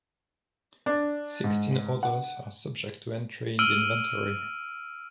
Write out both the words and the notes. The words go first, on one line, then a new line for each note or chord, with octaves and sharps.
Sixteen others are subject to entry in the inventory.
D4
G#2
F#5
E6 F6 D7 D#7 F#7 G7